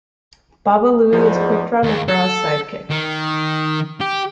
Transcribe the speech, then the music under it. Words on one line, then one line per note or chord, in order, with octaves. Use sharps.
Baba Looey is Quick Draw McGraw's sidekick.
E2 G#2 F3
D#2
A4
D#3
G4